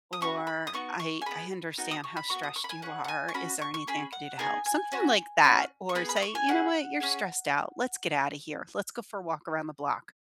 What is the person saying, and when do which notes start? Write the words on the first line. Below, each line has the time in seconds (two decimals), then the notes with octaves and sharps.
or "I I understand how stressed you are. Is there anything I can do to help?" Something like that. Or say, "You know what? You're stressed out. Let's get out of here. Let's go for a walk around the block."
0.13 D#6
0.21 C#4 F#4 C#6
0.47 B5
0.67 D#6
0.74 B3 D#4 F#4 C#6
1.00 C#6
1.22 G#5
1.26 B3 D#4 G#4 B5
1.78 B3 D#4 F#4
1.91 D#6
2.04 C#6
2.17 B5
2.30 B3 F#4 C#6
2.43 D#6
2.56 C#6
2.64 B5
2.69 G#5
2.82 C#4 G#4 F#5
3.04 F#5
3.08 G#5
3.29 C#6
3.34 C#4 F#4 B5
3.61 C#6
3.74 C#6
3.87 C#4 G#4 B5
4.13 F#5
4.39 B3 D#4 G#4 G#5
4.66 G#5
4.92 C#4 F#4
5.44 C#4 F#4
5.89 C#6
5.95 B3 G#4 B5
6.09 B5
6.16 D#6
6.22 C#6
6.35 G#5
6.48 C#4 G#4 F#5
7.00 C#4 G#4